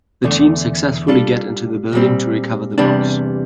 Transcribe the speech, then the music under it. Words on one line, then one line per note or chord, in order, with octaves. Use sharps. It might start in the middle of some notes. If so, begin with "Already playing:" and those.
The team successfully get into the building to recover the box.
E2 D3 A3
G3 D4 F4 A4
A#2 G3 C4
E2 C3 G3 D4